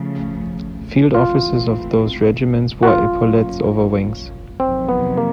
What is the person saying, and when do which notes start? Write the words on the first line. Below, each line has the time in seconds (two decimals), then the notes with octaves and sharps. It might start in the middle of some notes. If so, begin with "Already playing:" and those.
Field officers of those regiments wore epaulettes over wings.
Already playing: C#3 F3 A3
1.14 G#2 E3 A3 C4 F4
2.83 F#4
2.88 F#3 A#3 C#4 F4
4.60 F2 C3 D#3 F#3 C4
4.89 B3
5.17 A#3